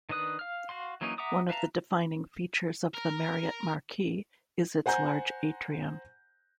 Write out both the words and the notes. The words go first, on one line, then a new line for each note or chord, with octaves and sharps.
One of the defining features of the Marriott Marquis is its large atrium.
D#3 D4 B4 D#6 F#6
F5 F6
F#4 F5 C6
E3 F#3 A#3 C#4 D#4
E5 F#5 A#5 D6 D#6
B4 E5 F5 A5 A#5
A#4
C5 F#5 G#5 A#5 G6